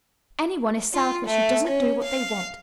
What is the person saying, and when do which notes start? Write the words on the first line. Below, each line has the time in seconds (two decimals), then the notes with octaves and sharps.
Any one is selfish who doesn't do what they want.
0.94 F4
1.26 A3
1.66 C#4
2.03 F5